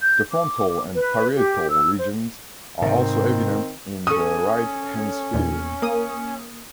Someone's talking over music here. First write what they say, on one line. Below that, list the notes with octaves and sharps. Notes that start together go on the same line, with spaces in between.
The frontal and parietal regions are also evident in the right hemisphere.
G6
D6
B4
G4
E6
C5
G#2 C3 D#3 C4
C#4 A4 D#6
E2 A#2
A#3 D#6